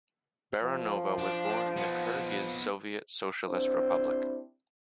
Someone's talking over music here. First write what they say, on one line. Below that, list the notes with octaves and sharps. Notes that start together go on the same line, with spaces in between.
Baranova was born in the Kirghiz Soviet Socialist Republic.
F3
D4
B3 D#4
C4 D4 E4 G4 C5